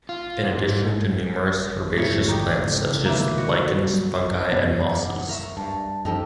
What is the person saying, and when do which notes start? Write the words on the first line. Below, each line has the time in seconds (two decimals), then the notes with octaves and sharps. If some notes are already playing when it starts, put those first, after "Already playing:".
In addition to numerous herbaceous plants such as lichens, fungi and mosses.
0.09 F4
0.44 G#2
1.97 G#1 F2 A2 D3 C#5
2.28 D#4 G4
2.71 C#2 C3 E3
3.05 D#3 A#3 B4 E5
3.38 F#4
3.72 F#3
4.52 F#2 B3
4.89 F#5 D6
5.29 A#4 E5 C#6
5.57 G2 A5
6.05 F#2 F3 D#4 G4 A4